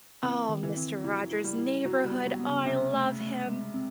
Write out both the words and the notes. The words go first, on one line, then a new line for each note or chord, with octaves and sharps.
Oh, Mister Rogers' Neighborhood, oh, I love him.
E3 C4
D#3
E3
C4
F#3 E4
E4
G3
E4
F#3 F#4
G3
B3
F#3
B3
C#3
C3 C#4
A3
A3
G#3
C4